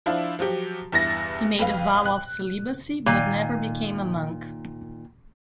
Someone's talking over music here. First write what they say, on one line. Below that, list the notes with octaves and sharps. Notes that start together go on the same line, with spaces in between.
He made a vow of celibacy, but never became a monk.
F3 D4 E4 F4
F3 F#3 F#4 G4
E2 G2 E4 A6 A#6
F2 B4 F5
F#6
A#2 D#3